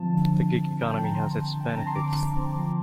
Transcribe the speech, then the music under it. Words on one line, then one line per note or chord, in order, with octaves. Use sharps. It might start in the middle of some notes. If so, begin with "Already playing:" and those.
The gig economy has its benefits.
Already playing: D3 F3 C4 A5
D3
F3
D3
D3
G5
F3 A5
A#5
D3 C6
D3
D3
G5
A5
C4 A#5
C6
D3 D6
D3
C4
F3